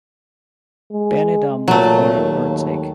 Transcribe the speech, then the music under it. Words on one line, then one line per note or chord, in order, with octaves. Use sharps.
Benedum was born in Merzig.
G#3
A#2 F#3 A3
D#2